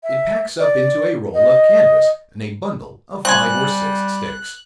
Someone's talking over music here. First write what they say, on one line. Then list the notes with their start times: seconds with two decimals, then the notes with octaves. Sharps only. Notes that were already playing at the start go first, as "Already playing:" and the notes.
It packs up into a roll of canvas and a bundle of five or six sticks.
0.04 E5
0.59 D5
1.34 D#5
3.25 G3 C4 G#5 F#6